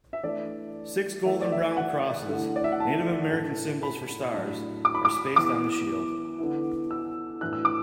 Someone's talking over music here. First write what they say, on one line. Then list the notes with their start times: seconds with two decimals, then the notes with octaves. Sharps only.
Six golden brown crosses, Native American symbols for stars, are spaced on the shield.
0.13 E5
0.23 E3 A3 D4 D5
1.26 E3 A3 E4 E5
1.41 D5
1.52 E5
1.77 F#5
2.28 D3 A3 E4
2.56 D5
2.64 E5
2.72 F#5
2.80 A5
3.31 A2 A3 D4
3.83 B5
4.34 A2 F#3 D4
4.85 D6
4.95 B5
5.05 D6
5.36 E3 B3 E4 D6
6.38 D3 B3 E4
6.91 E6
7.41 A2 E3 D4 F#6
7.53 E6
7.65 D6